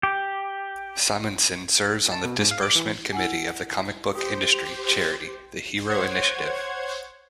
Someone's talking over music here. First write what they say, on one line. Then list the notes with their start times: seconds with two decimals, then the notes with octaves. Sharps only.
Simonson serves on the Disbursement Committee of the comic-book industry charity The Hero Initiative.
0.03 G4
2.12 A5
2.25 B2
2.39 G#2
2.51 F5
2.63 D6
2.76 E3
3.13 E4 F#5 G#5
4.15 G4 C5 D#6
5.89 C5 C#5 F#5 G#6